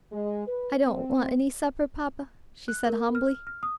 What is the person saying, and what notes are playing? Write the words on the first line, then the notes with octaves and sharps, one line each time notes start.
"I don't want any supper, papa," she said, humbly.
G#3
B4
C4
F#6
A#4
F6
F6
D#6